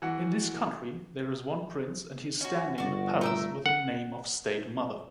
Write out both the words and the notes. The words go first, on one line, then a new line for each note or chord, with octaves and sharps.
In this country, there is one prince and he is standing in a palace with a name of state mother.
E3 F#4 F#5
C#4 F#4
G1 F#4 D5
A3 A#4 E6
F#5